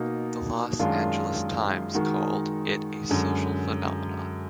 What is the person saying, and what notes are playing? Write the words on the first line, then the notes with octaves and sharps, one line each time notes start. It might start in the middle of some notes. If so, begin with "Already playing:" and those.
The "Los Angeles Times" called it a "social phenomenon".
Already playing: B2 A#3 D#4
F#2 D#3 G#3 D4 F4
D#3 G#3 D#4 F#4
F#2 D3 G#3